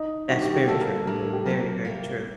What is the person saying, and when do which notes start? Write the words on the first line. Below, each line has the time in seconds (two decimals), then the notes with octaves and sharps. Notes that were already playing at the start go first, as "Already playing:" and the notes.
That's very true. Very, very true.
Already playing: D#4
0.29 D#3 G3 D4 F#4
0.42 G4
0.55 G4
0.68 D3 G3 A#3 F#4 A4
0.81 A#4
0.93 A4
1.07 A2 G3 D4 A#4
1.20 A4
1.33 G4
1.46 F#3 A#3 F#4 A#4
1.85 C3 G3 A#3